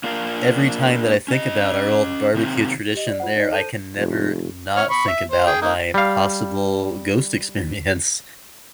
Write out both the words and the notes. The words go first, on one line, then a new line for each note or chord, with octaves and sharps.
every time that I think about our old barbecue tradition there, I can never not think about my possible ghost experience.
A#3 D4 F4 A#4 F5
C#4 D#5
C3 D#3 C4
G4 D#5
D5
F4 C5 F#5
D#4 D5 D#5 A#6
A4 C5 A5 G6 D#7
F1
C#5 F6
B5 C#6
E5
C5
G#4 G5
A#3 D#4
G3 F5